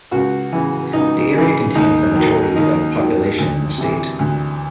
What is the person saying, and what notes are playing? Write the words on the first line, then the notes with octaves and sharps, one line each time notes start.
The area contains the majority of population in the state.
C#2 F#4
C#3 E3
C#2 D#4
C#3 E3
D#2 D#4
D#3 F#3
D#2 D#4
D#3 F#3
D2
C3 E3
D2